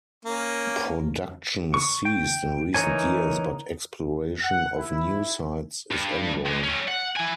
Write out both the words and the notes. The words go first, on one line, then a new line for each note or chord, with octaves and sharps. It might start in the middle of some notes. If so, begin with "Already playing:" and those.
Production ceased in recent years but exploration of new sites is ongoing.
A#3 C#4
C#6
G5
E3 D#4 A#4 C#5 G#5
F#5
E4
G2
C#2
A3 C#4
F#5
E4 G#5